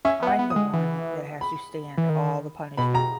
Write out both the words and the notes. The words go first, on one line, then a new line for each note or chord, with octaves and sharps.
I'm the one that has to stand all the punishment.
C#4 E5
B3
F#5
B3
D#6
G#3
E3
B5
E3
D#3
B2 B5
A#5